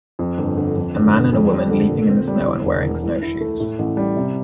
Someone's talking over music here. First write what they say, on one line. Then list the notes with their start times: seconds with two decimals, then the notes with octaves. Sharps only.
A man and a woman leaping in the snow and wearing snowshoes.
0.19 F2
0.38 G1
0.57 D3
0.76 F2
0.95 G1
1.14 D3
1.33 F2
1.52 G3
1.71 D3
1.89 A#2
2.09 C4
2.27 G3
2.47 E2
2.66 E1
2.84 E3
3.04 E3
3.22 E4
3.41 A3
3.60 A2
3.79 A1
3.97 G3
4.17 C3